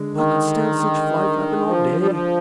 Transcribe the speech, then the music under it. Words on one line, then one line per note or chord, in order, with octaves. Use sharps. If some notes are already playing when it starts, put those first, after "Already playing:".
I could stan' such fly-flappin' all day.
Already playing: D3 G#3
D#3
F3
G3
F3